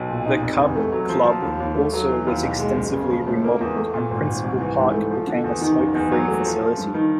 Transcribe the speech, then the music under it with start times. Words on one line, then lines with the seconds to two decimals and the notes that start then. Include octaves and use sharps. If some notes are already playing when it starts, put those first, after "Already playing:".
The Cub Club also was extensively remodeled and Principal Park became a smoke-free facility.
Already playing: B1
0.09 A#2
0.26 D#4
0.42 F1
0.59 E2
0.76 A3
0.92 F#3
1.09 F3
1.25 F3
1.42 D#2
1.60 D#2
1.76 A3
1.93 F#3
2.09 E3
2.26 D#2
2.43 B1
2.59 G#3
2.76 F#1
2.93 C#3
3.09 F3
3.27 A2
3.44 A#3
3.61 E2
3.76 A3
3.94 A#2
4.11 G#1
4.27 G#1
4.44 C2
4.60 E3
4.77 G#2
4.94 A3
5.11 F3
5.27 D3
5.44 E2
5.61 D#3
5.78 F#1
5.95 E2
6.12 F#3
6.28 A3
6.45 F3
6.62 F3
6.78 G2
6.94 D#3